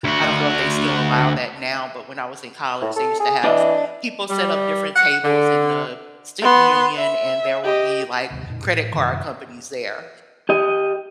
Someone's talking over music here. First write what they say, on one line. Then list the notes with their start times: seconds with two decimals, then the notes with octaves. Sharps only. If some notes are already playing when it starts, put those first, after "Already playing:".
I don't know if they still allow that now, but when I was in college, they used to have people set up different tables in the student union and there would be, like, credit card companies there,
0.04 D2 F#4
2.81 A2
2.96 A4
3.20 G#4
3.44 E3 D4 D5 D#5
4.30 G3
4.95 F#5
5.24 D3
6.41 B3 C6
6.97 E5
7.64 G4 D#5
8.30 D1 G#1 D#2 C3
8.46 F2 A#2
8.65 A2
8.93 F#2 C3 D#3
10.49 G4 D#5